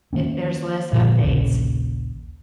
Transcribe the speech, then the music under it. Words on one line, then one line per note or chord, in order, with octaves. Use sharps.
if there's less updates,
D#3 A#3 C#4
A#2 D3 F3 A#3
A#1 D#2 C#3